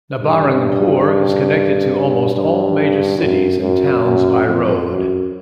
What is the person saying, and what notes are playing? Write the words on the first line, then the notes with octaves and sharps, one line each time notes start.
Nabarangpur is connected to almost all major cities and towns by road.
G2
G2
F#2
F#2
F#2
F2
F#2